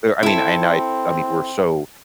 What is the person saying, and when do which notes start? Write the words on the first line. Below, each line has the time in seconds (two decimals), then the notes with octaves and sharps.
There I mean, and I I mean, we're so
0.23 C4 E4 A4